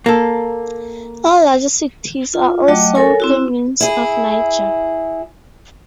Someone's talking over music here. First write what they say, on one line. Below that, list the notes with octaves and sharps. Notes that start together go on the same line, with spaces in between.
All larger cities are also Communes of Niger.
A#3 A4
F4
F#3 A3 F#4 D#5 G5 D6
A4 A#4 C#5 G#5
C4 E4 F#4
E4 G#4